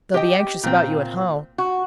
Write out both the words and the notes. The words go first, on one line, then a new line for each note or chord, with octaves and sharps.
They'll be anxious about you at home.
G4 D#5 G5
A#2 C4
F#4